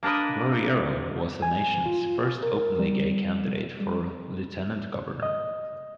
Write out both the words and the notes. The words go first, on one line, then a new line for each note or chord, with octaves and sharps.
Guerriero was the nation's first openly gay candidate for lieutenant governor.
A#3 D4 A#4 B4 D#5
G#5
F4
A#4
G3
G3
D#5